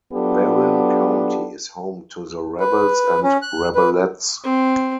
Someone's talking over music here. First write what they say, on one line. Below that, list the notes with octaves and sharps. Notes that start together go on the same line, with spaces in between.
Berrien County is home to the Rebels and Rebelettes.
F#3 B3 D4 F4 G4 A4
B4
C#4
F#6
B4
C4